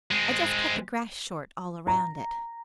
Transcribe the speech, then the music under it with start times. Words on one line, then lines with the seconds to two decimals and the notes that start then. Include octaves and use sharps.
I just cut the grass short all around it.
0.11 G#3 C4
1.87 A#5